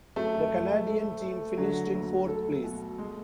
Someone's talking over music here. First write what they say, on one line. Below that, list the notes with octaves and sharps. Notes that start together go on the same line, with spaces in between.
The Canadian team finished in fourth place.
F#2 A3
F#1
A4
A3
D3 F#3
D2
A4
B2
G#3